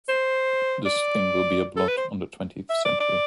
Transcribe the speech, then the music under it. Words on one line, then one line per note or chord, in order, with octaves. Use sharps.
This thing will be a blot on the Twentieth Century!
C5
D5
A4
B4
C5
E5
D5
D5